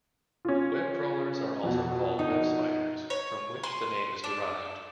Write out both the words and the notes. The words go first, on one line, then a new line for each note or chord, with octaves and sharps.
Web crawlers are also called web spiders, from which the name is derived.
C#4 F4
F2 B2
D#4
C#5
C6
D4